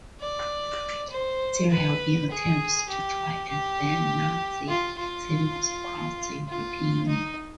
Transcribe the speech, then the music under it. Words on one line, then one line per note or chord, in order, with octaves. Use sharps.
There have been attempts to try and ban Nazi symbols across the European Union.
D5
C5
B4
G#4
G4
G4
F4
F4
F4
D#4